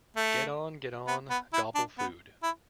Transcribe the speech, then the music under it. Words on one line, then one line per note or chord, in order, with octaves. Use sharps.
Get on, get on, gobble food!
A3
B3
B3
E4
D4
B3
E4